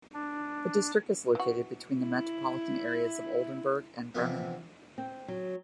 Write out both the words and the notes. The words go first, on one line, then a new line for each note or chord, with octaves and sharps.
The district is located between the metropolitan areas of Oldenburg and Bremen.
D4
E3 F#4
E4
F2 C3 E3 B3
C4
F#3